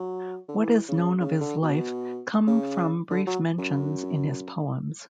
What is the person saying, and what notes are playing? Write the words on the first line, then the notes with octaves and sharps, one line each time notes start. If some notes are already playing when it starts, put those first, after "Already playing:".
What is known of his life come from brief mentions in his poems.
Already playing: F#3
D3
E3
C#3
C#3
D3
B2
C#3
D3
F#3
F#2